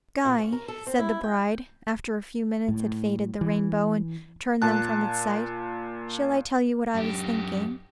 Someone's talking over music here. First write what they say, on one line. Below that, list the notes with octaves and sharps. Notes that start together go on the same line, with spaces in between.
'Guy,' said the bride, after a few minutes had faded the rainbow, and turned them from its sight, 'shall I tell you what I was thinking?
A#2
C#4
A#4
A4
C4
E4
G5
A2
E3
A#2 A5 F#6
F#2 G4